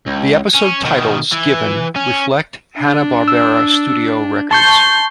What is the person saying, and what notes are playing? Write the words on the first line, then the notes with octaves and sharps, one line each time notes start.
The episode titles given reflect Hanna-Barbera studio records.
C#2
C#4
B2 D#3
E3
C#4
D4
E6
A5 C6 C#6 G6